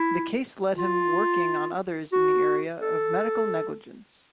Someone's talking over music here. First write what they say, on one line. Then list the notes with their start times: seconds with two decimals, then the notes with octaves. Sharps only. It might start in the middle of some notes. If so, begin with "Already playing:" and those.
The case lead to him working on others in the area of medical negligence.
Already playing: E4
0.76 F4
2.13 F#4
2.81 A4